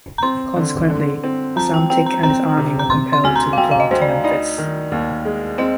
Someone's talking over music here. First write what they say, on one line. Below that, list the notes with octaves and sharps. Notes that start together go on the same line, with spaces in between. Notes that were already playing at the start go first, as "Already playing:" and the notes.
Consequently, Psamtik and his army were compelled to withdraw to Memphis.
A#5
C4 C6
D3
D3
C4
F3 A#5
G5
C4 G5
A#5
C4 A#5
C3
A#5
C3 C6
C6
D2 G#5
A#5
F5
D2 G5
F5
D#5
D2 C5
D5
D#4 D5
D#3
D#2
G#3
C4 D#5